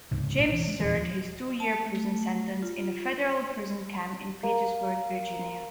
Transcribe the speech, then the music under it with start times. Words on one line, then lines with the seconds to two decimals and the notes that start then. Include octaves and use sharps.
James served his two-year prison sentence in a federal prison camp in Petersburg, Virginia.
0.11 C#2 G#2 C3
0.39 B1 A2 F#3 D4
0.52 E3
0.68 G#3
0.80 D#1 E2 F3
0.95 F3
1.60 A5
1.86 A3
2.63 F4
4.43 A#3